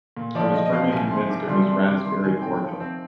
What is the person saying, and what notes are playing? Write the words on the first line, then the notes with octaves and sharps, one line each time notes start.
I was firmly convinced it was raspberry cordial.
A#2
F3 D5
F3 D#5
D#5
F3 F5
C2 G#5
C3 C6
C4 D6
G3 C6
C3 C6
C3 D6
D#3 C6
D#3 G#5
C4 G5
F3
C4